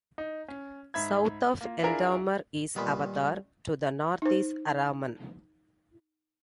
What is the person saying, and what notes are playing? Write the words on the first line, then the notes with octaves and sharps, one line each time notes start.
South of Eldamar is Avathar; to the north is Araman.
D#4
C#4
G#2 E5 B5 G#6
A#3 F4
D4 E4 F4 G#4 A#4
A#2 D#3 G3 B3 B5
D#4 C5